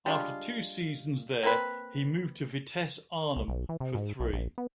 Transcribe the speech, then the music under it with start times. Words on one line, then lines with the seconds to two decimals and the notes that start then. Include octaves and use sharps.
After two seasons there he moved to Vitesse Arnhem for three.
0.06 G3 G#3 D4 F4
1.43 A#3 C4 B4
3.36 C2
3.48 B1
3.69 E3
3.80 C3
3.94 G#2
4.20 B1
4.33 A#1
4.58 B3